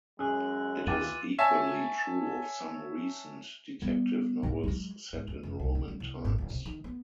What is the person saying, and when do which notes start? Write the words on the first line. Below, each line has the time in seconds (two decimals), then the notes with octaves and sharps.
It is equally true of some recent detective novels set in Roman times.
0.19 F#2 G#3 C#4 G#4 E6 F#6
0.87 D#2 E3 F4 D6 A6 D#7
1.38 C#5 E5 G#5 A5
3.82 G3 B3
4.43 G#2 A#3
4.63 F#3 G#3
5.13 G#2
5.28 E2
5.43 F1
5.60 C2
5.75 C#3
5.88 G3
6.00 C2
6.25 G#1
6.38 D1
6.50 C3
6.66 D#3
6.84 B3